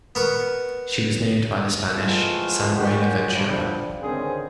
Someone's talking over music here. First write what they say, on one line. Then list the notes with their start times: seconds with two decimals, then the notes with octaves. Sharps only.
She was named by the Spanish "San Buena Ventura".
0.15 B3 A#4 C#6
1.95 E3 F3 G#3 A3 B3 F4
2.75 A#2 F#3 G#3 F#4 G4
3.33 B1 D3 F3 G3
4.00 G#1 C#2 D3 C4 C#4 G#4